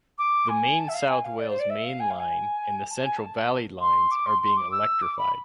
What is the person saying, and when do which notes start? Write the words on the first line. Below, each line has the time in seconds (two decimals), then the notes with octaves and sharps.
The main South Wales Main Line and the central Valley Lines are being electrified.
0.18 D6
0.48 G#5
0.78 A5
0.88 E5
0.94 F5
1.08 G#5
1.24 F5
1.39 D5
1.49 C5
1.59 D5
1.69 E5
1.84 F5
1.99 G#5
2.09 F5
2.19 G#5
2.89 A5
3.03 G#5
3.16 A5
3.80 C6
4.10 D6
4.25 C6
4.40 C6
4.56 D6
4.71 E6
5.01 D6
5.17 B5